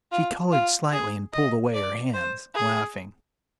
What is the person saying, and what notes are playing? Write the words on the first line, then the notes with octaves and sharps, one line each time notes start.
She coloured slightly and pulled away her hands, laughing.
F4
F4
G#4
D#5
D5
C5
G#4